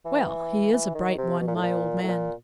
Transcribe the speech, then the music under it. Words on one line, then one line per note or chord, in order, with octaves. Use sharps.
Well! he is a bright one, my old man!
E3
E3
D#3
C3
B2
A#2
A2
A#2
A2
A#2